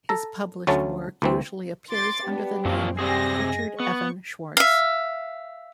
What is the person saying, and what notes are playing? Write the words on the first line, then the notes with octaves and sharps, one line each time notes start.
His published work usually appears under the name "Richard Evan Schwartz".
A4 A#5
D2 F#3 A3 C#4 A5
D2 E3 C4
C6 D6 A6
B3 D4 G4
F#2 A#2 F3 F#3 C4
C3 G3 C4 G#4 G#5 A#6
G#3
B3 C#6
E5 F5